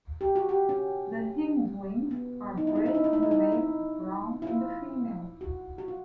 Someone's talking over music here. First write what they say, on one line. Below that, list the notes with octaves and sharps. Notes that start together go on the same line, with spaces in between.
The hindwings are grey in the male, brown in the female.
G4
F#4
G4
C#4
B3
D#4
E4
D#4
E4
D#4
E4
D#4
E4
D#4
E4
E4
F4
F#4
F#4
F4